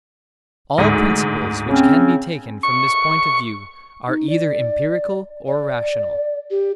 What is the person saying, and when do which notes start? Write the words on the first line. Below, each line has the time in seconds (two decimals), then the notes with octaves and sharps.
All principles which can be taken from this point of view are either empirical or rational.
0.78 D2 G#2
1.67 C#3 C4 C#4
2.63 C#6
4.08 D#4
4.29 D5
5.47 D5
6.51 G4